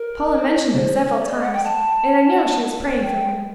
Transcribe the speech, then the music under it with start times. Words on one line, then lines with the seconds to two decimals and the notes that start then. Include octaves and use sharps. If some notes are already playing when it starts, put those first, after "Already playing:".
Paula mentioned him several times, and I know she was praying for him.
Already playing: A#4
0.72 C5
1.18 D5
1.30 D#5
1.42 F#5
1.53 G5
1.64 A5
3.02 G5